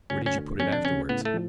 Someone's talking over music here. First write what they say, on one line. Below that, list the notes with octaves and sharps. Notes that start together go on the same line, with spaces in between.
"Where did you put it afterwards?"
D2 C#4
C#4
D3
F2 C#4
D4
C#3 C#4
A2 B3
A3
F3